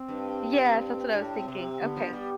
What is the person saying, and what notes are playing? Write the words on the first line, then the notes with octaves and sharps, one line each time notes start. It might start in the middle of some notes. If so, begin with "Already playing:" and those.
Yes, that's what I was thinking. Okay.
Already playing: C4
G2
A2 D4
C4
C3
C4
D3 B3
F3
G3